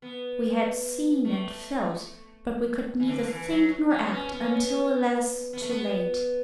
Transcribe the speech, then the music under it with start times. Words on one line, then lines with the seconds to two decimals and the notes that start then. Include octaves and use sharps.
We had seen and felt, but we could neither think nor act, until, alas! too late.
0.02 B3
1.25 A3
3.00 E3
3.08 D3
3.29 E3
3.49 F#3
3.90 C#4
4.05 B3
4.11 C#4
4.31 B3
4.41 C#4
4.52 B3
5.53 B3
5.61 A3
5.70 B3